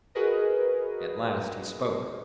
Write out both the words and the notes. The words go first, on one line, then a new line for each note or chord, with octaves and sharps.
At last he spoke.
F#4 G#4 A#4 B4 D#5